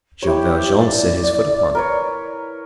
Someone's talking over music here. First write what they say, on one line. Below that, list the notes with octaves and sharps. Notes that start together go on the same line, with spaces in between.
Jean Valjean set his foot upon it.
E4 G4 C#5
D5
A#4 B4 C#5